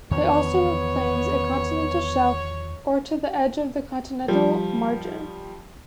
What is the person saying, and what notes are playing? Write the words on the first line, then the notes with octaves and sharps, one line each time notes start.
It also claims a continental shelf, or to the edge of the continental margin.
E2 D#3 F3 B3 C#5
F3 G3